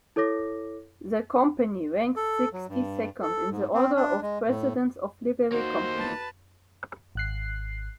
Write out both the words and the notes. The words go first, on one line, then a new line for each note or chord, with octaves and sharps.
The Company ranks sixty-second in the order of precedence of Livery Companies.
E4 A4 C#5 D6 A#6
A4
F#3
G2
A4
G#2
C4
D4
G#3
A2
A#3 D#4 F#4 C5
B4 A5
G#1 F#6 C7